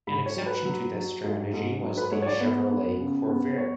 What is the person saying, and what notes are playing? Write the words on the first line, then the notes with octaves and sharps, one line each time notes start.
An exception to this strategy was the Chevrolet Corvair.
G#2 B5
C#5
F#3
B4
F#3
F#3
G#2
G#2
F#3
B4
G#2 C#5
C#5
D5
B3
B3
C#3
B3
C#5